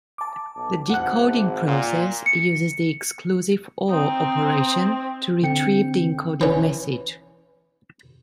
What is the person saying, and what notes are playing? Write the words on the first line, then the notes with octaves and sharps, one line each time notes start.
The decoding process uses the "exclusive or" operation to retrieve the encoded message.
A5 D6
B1
G#1 F#5 F#6
A#2
C#7
C4 D#4
D3 C4 G5 C#7
E3 C#4